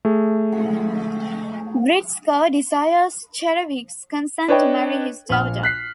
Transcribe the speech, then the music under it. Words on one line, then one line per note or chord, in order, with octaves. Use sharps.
Gritsko desires Cherevik's consent to marry his daughter.
A3 G#4
D4 B4 C#5 D#5 G5
A#1 F6
F#6 B6 C7